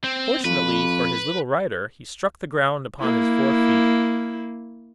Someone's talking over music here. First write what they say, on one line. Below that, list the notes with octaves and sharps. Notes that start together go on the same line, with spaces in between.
Fortunately for his little rider he struck the ground upon his four feet.
C4
F2 B4
A#3 E4